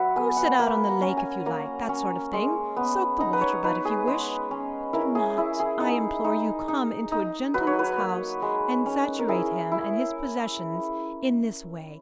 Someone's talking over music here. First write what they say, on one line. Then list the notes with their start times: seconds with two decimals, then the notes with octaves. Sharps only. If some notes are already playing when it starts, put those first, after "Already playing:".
Go sit out on the lake, if you like that sort of thing; soak the water-butt, if you wish; but do not, I implore you, come into a gentleman's house and saturate him and his possessions in this way.
Already playing: F#3 B4 E5 F#5
0.16 B3 G#5
0.37 F#5
0.59 A#3 B5
0.89 A#5
1.02 C#4
1.17 G#5
1.46 A#3 A#5
1.89 C#4
2.33 G#3
2.76 B3
3.20 D#4 A#5
3.33 B4
3.41 C#5
3.64 D#4 B4
3.85 G#4
4.07 G#3
4.51 C#4
4.93 E4 A#4
5.15 G#4
5.38 E4
5.60 G#4
5.80 D#4
6.24 D#4
6.68 D#4
7.12 D#4
7.54 F#3 B4
7.67 C#5
7.79 B4
7.98 A#3
8.42 G#3
8.86 C#4
9.19 A#4
9.28 E4 G#4
9.72 E4